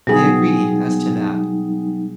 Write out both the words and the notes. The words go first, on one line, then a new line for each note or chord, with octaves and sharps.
They agreed as to that.
B2 F#3 G3 D#4 G#4